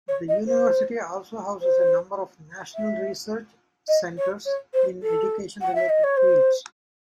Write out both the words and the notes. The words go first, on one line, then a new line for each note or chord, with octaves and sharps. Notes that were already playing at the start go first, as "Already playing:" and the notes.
The university also houses a number of national research centres in education-related fields.
C#5
D#5
C5
C5
E5
D#5
C#5
C#5
C5
A4
F#5
E5
D#5
C#5
C5